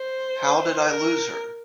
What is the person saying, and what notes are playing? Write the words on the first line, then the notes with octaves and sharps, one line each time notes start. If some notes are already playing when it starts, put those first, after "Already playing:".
How did I lose her?
Already playing: C5
A#4